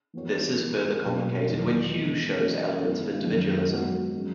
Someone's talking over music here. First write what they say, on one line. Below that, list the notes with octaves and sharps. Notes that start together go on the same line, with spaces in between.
This is further complicated when Hugh shows elements of individualism.
E3 B3 F#4 C#5
E3 B3 E4 A#4
B2 F#3 A#3
E2 D#3 F#3
E3 G#3 B3
E3 A#3 D#4
D#3 G#3 B3 E4 B4
F#2 D#3 A#3
G#2 F#3 B3 F#4
F#3 C#4 G#4